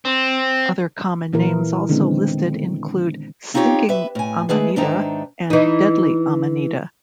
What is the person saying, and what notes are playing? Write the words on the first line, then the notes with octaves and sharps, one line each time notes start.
Other common names also listed include "stinking amanita" and "deadly amanita".
C4
A#2 E3 E4 A#4
D3 D#3 G#3 B3 C4
C4 D#4 F4 G4 A#4 C#5
B4 E5
A2 G#5
G#3 A3 G#4 B4
G#2 D#3 D4 D#4 E5 A#5
E3 D#4